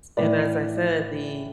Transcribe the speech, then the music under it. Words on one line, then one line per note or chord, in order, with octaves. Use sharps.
and, as I said, the
A2 E3 B4 D5